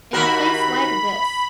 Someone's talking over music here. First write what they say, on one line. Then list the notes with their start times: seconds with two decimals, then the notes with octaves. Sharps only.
"In a place like this."
0.13 D#2 F#4 A#4 B5